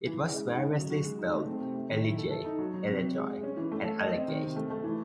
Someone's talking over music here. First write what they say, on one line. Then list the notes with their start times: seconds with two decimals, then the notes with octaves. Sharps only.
It was variously spelled "Ellijay", "Elejoy", and "Allagae".
0.07 E3
0.21 C#3
0.34 G#3
0.48 D#4
0.63 C#3
0.77 F#3
0.90 F#4
1.04 G#3
1.19 D#4
1.33 A3
1.46 C4
1.60 C3
1.75 A3
1.90 D#3
2.03 E4
2.18 A4
2.31 A4
2.45 D#4
2.59 F#3
2.74 F#3
2.87 C3
3.01 C3
3.15 G#3
3.29 G#3
3.43 C#4
3.57 E3
3.72 A3
3.85 A4
4.00 D#5
4.14 C4
4.28 D#3
4.42 C3
4.56 A3
4.70 A3
4.84 E3